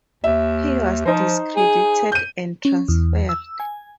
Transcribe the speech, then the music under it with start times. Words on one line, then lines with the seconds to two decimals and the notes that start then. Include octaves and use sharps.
He was discredited and transferred.
0.24 D#2 E5
1.05 F3 D#4 C5
1.56 G#4
2.12 G6 D#7
2.65 C#4
2.88 E2
3.29 E6
3.60 G#5